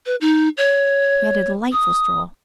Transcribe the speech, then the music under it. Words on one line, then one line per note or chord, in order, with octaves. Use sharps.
We had a delightful stroll.
B4
D#4
C#5
D#6